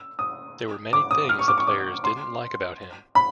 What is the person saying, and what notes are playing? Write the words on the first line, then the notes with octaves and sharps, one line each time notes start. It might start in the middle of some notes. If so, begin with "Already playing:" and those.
There were many things the players didn't like about him.
Already playing: E6
D#6
D6
D#6
F6
C#6
D6
C#6
D6
C6
B5